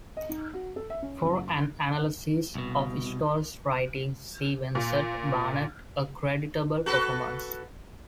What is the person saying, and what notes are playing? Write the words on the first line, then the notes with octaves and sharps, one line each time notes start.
For an analysis of Stoll's writings see Vincent Barnett, 'A Creditable Performance?
D#5
D#4
F#4
A4
E5
C#4
F#1
C6
C2 B2
A#2
F#4 A4 B4